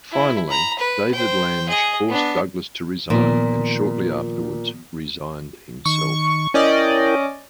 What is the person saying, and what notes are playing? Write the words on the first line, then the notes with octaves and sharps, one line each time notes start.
Finally, David Lange forced Douglas to resign, and shortly afterwards resigned himself.
E4
A#5 B5
B4
C5 G5
G#4 D#5
B3 D4
A#2 D#3 F3 B3
D#3 C#6
C#4 E4 A#4 D5 D#5 G5